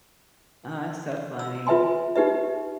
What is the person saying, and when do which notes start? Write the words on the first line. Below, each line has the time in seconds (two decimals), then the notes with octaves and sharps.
Oh, that's so funny,
1.39 E6
1.67 F4 B4 E5 G#5 C6
2.16 D#4 G4 B4 E5